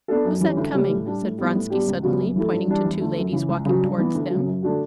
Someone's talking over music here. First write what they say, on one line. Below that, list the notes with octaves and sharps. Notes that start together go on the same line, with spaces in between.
"Who's that coming?" said Vronsky suddenly, pointing to two ladies walking towards them.
B3 D4 A4
F#2
E3 G3 C#4
D2
C#3 G3 C#4 G4
A2
G3 D4 G4
A2
G3 B3 E4
A2
G3 B3 D4 G4
C#2
C#3 G3 B3 F#4
F#2
E3 A3 E4 A4
G2
E3 G3 D4
E2
D3 A3
F#2
C#3 E3
C#2
C#3 F#3
G2
E3 B3
D2
F#3
C#3
F#2
D3 A3 D4 F#4